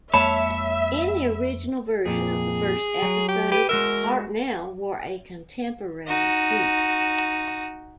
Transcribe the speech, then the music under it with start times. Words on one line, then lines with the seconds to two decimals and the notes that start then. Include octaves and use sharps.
In the original version of the first episode, Hartnell wore a contemporary suit.
0.14 F2 G#3 A#3 C#5 E5 A5 B5
2.06 F2 A#2 G#4
3.02 F#3
3.29 G4
3.52 G4 B4
3.69 G#3 F#4 A#4 E5
6.07 D#4 F#4